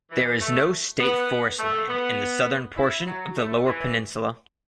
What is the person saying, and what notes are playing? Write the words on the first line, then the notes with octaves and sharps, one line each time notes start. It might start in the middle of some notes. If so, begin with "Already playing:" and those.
There is no state forest land in the southern portion of the Lower Peninsula.
E3
A3
B3
A3
B3
E4
F#3
A3
E3